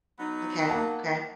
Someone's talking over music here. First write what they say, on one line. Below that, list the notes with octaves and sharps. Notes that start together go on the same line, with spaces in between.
Okay. Okay.
F#3 B3 D#4
A#3 F#5 A5